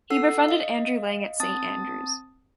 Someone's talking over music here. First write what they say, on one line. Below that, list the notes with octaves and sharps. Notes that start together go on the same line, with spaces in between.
He befriended Andrew Lang at St Andrews.
A4 F#5 E6 C7
D#5 F5
C4 A5 D#6 A6